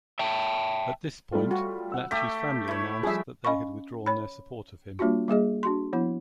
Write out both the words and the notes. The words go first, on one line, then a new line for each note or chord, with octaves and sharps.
At this point, Laci's family announced that they had withdrawn their support of him.
E5 G5 A5
G3 A3 F4
F#4
F#5 E6
A3 G4 B6
E4 C#5
F3 G3 G#4 E5
C#4 D#5 F5 B5 C#6
C#5 B5
G3 A#3 D4 F4 F#4
G3 A#3 G#4 D#5
D4 F#4 C6
F3 B3 E4